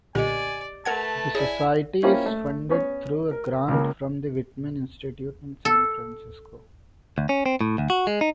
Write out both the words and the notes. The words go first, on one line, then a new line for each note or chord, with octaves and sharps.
The Society is funded through a grant from the Whitman Institute in San Francisco.
B1 A#2 D3 G4 D5 D#5 G#5
A3 A#4 B4 F#5 A5 G#6
E4 G#4 C#5 D5 G#5
A#3 C#4 E4 F4 G4 C5
A3
B3 C#4 C#5
A#4
C#2 C#3 A#3
A4
D2
C#4
C4
A2
D2
F#4
G#3
D#4